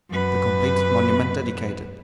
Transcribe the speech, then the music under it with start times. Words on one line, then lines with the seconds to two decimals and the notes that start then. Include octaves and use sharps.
The completed monument dedicated.
0.10 F#2 B4